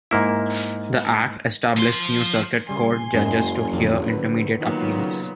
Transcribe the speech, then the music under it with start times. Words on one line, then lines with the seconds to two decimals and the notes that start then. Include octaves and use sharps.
The Act established new circuit court judges to hear intermediate appeals.
0.11 G#2 A#3 E4
1.77 F3 C6
2.69 C#3 G3 G#5 C6
3.13 F#1 F#2 G#3
3.73 A#1 F2 D3 D#3
4.08 B4
4.60 A#2 D#3 F#3 B3
4.99 C#3